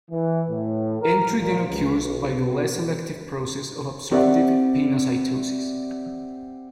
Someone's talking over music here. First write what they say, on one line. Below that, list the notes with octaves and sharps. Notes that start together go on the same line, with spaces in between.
Entry then occurs by the less selective process of absorptive pinocytosis.
E3
A2
A#4
A#2
C#2
B1
B2
C4 G4 D5 E5 F#5